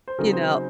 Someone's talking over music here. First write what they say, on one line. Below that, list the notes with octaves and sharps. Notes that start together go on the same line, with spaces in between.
you know
C5
C#3 F#3 C4 D#4 A#4
C5